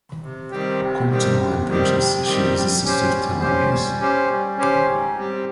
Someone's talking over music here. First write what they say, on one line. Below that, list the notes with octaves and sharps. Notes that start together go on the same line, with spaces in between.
According to Iamblichus, she was a sister of Telauges.
C3
D#3 G3 C4 G4
C3
D#3 G3 C4 G4
C3
D#3 G3 C4 G4
C3
D#3 G3 C4 G4
G3
C#4 G4 C5
G3
C#4 G4 C5
G3
C#4 G4 C5
G3
C#4 G4 C5
G#2
G3 C4 G4